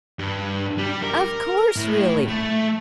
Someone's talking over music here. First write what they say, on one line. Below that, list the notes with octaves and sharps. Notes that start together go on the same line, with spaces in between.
"Of course, really!"
G2
G3
A#4
A2
A3